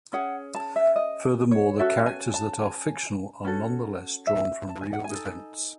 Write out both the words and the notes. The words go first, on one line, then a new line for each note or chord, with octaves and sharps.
Furthermore, the characters that are fictional are nonetheless drawn from real events.
C#4 G#4 F#5
A5
E5
D#5
C#5
C#4 F#4 A4 E5
G#5
A5
G#5
C#4 F#4 A4
E5
A5
G#5
F#5
G#5
D#4 A4